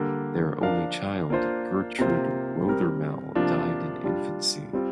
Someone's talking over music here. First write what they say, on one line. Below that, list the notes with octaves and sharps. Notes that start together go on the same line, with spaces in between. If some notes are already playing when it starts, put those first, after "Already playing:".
Their only child, Gertrude Rothermel, died in infancy.
Already playing: D3 G3 A#3
F3 D4 A#4 F5
A#3 D4 F4 C5
C3 A#3 F4 C5
G3 C4 A#4
C3 F3 A#3 D4 F4
G3 D4 F4
G3 C4 F4